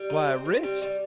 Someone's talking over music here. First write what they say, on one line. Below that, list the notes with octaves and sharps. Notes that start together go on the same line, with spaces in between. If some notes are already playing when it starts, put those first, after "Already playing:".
Why, rich?
Already playing: G3
D#4
C4
C4
G3
G3